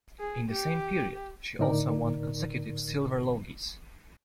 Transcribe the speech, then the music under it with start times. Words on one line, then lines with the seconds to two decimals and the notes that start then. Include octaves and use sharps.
In the same period, she also won consecutive Silver Logies.
0.19 G#4
0.49 G4
1.59 A2 D3 D#4 A#4 D5